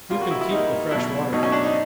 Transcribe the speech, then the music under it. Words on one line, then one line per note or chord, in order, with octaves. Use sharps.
"You can keep the freshwater fish!"
A#2 G3 A#3 F4
F#4
E4
E4
A#2 G3 A#3 D#4
B2 F#3 A3 E4
B2 F#3 A3 D#4
C#4
D4
D#4